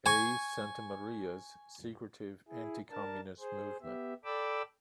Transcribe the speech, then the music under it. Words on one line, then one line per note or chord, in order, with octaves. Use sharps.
A. Santamaria's secretive anti-communist Movement.
G#5 C#6
E4 G#4
D4 A#4 A5
G#4 C5
B3 G4 E5
A4 D5 G5 B5 D6 E6